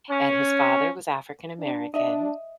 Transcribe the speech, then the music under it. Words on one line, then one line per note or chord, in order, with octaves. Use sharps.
and his father was African American,
C#4
D4
D4 D#5 E5